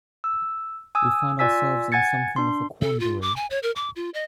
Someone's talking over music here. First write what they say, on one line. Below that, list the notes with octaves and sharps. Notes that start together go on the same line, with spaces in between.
We find ourselves in something of a quandary.
E6
G#5 D#6 E6
F4 D5 G#5 E6 B6
F#5 G#5 G#6 A6 C#7
D4 C6
A4
F4
D6
G#5
C#5
A#4
D6
F4
D#5